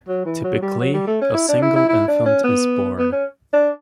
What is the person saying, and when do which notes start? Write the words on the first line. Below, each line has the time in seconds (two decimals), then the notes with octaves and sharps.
Typically, a single infant is born.
0.08 F#3
0.26 E3
0.44 F#3
0.62 G3
0.80 F#3
0.94 G3
1.07 A3
1.22 C#4
1.34 E4
1.48 D4
1.62 E4
1.76 E4
1.89 E4
2.08 D4
2.26 C#4
2.44 B3
2.99 B3
3.12 C#4
3.53 D4